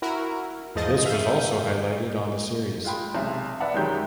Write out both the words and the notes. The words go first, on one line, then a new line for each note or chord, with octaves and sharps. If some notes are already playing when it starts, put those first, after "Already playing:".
This was also highlighted on the series.
E4 F#4 A#4
E2 G#2 F3 G#4 D#5 A6
E5 F5 G6 D#7
G#3 F4 G5 B5
B1 C3 E5 C6
B4 D5 E5 F#5
F#2 D#3 F#3 G#3 G4 G6